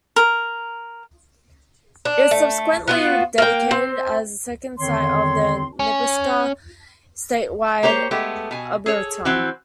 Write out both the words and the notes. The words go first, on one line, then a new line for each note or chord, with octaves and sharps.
It was subsequently dedicated as the second site of the Nebraska Statewide Arboretum.
A#4
D4
A3
B3 F4 F#4
A#3 A#4 G5
C4
E2 D3 D#3 C4 C#5 C6
C#4
A#3 G4 C5 C#5
G#3 A3 B3 G4
B2 G#5
G#4 A4 C#5
E3 C4 F#4